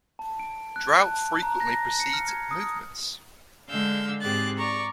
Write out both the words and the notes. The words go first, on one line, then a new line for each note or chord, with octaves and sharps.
Drought frequently precedes movements.
A5
D7
F#6
A5
A#5
A#6
C#7
F6
G#6
D#6
F6
D3 G#3 F5 E6 G6
G#2 C4 G4 G#4 F#6 A6
D5 A#5 C#6